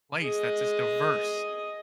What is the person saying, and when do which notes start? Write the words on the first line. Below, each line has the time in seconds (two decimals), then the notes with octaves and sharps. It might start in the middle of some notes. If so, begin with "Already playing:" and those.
place that's just diverse
0.22 G#4 D#5